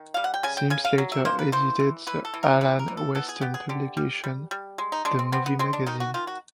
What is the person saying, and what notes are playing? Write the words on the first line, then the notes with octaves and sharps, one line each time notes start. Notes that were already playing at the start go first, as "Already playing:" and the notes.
Sims later edited the Alan Weston publication "The Movie Magazine".
Already playing: D#3
G3 F5
F#5
G5
C#3 G#5
G5
C#3 G#5
F5
F#3
E5
A#3 C5
B4
E3 C5
E3
E3 B4
A4
E3
A#4
E3 B4
A#4
E3
A4
B3 A4
G#4
B3 G4
G#4
D3 G4
G3
G3
G3
G#3
D#4
G#3 D4
C4
B3 C4
B3
G#3 C4
D4
D#3 D#4
F#4
D#3 F4
F#4